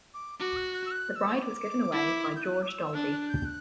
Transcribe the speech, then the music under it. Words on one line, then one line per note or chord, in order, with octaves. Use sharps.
The bride was given away by George Dolby.
D6
F#4 D6
F#6
F#6
E6
F#6
E6
C#6
D6
E4
G6
F#6
D6
E6
E6
D4 F#6
F#6
G6
F#6